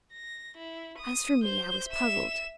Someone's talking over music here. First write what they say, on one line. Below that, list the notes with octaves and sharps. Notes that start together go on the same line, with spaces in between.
As for me, I was puzzled.
A#6
E4
D#6
C5 G6
E5 E7